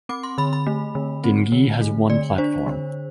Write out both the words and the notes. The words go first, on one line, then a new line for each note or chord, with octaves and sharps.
Dingee has one platform.
C4 D6
C6
D3 B5
B5
A3
D3
C4
D3
A3
D3 D5
D4 C5
D3